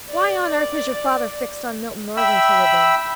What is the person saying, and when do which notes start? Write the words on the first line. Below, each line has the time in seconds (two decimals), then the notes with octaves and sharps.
'Why on earth has your father fixed on Milton-Northern to live in?'
0.11 D5
2.17 E5 G5 B5 E6